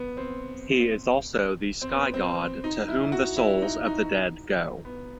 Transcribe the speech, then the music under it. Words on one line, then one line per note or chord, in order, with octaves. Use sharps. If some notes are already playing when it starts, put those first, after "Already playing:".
He is also the sky god to whom the souls of the dead go.
Already playing: B3
C4
C4
B3
C4
D#4
E4
F#4
E4
D#4
D#4
B3